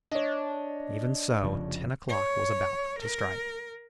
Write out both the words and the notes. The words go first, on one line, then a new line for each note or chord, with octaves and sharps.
Even so, ten o'clock was about to strike.
D4 C#5 D#5
F1 C#3 F3
C#5
A#4